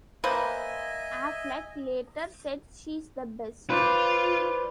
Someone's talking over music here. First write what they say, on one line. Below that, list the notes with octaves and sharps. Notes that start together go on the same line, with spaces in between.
Affleck later said: She's the best.
A#3 B4 C5 D#5 E5 G#5
F4 B4 C5 D5